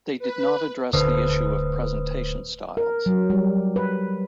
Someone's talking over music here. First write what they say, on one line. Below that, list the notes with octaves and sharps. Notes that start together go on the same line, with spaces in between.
They did not address the issue of presentation styles.
B4
D1 D2 D3 B4 C5 D#6
A#4
F#3
G3
B4